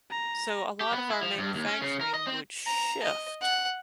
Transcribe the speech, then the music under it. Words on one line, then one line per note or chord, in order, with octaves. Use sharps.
so, a lot of our manufacturing would shift.
A#5
G4
B3
E4
F3
G2
D#2
C#4
C#3
A#4
D#5
C4
A#5
D#5
F#5